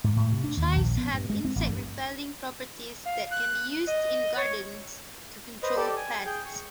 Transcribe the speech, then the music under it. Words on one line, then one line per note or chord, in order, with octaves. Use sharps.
Chives have insect-repelling properties that can be used in gardens to control pests.
G#2
A2
C3
D4
D#2
A#1
B3
G2
G#3
C4
A1
G2
F5
F#6
D#5
C#5
B4 C5 D#5
G4 A4 D5
G#5
G#4 G5
C#6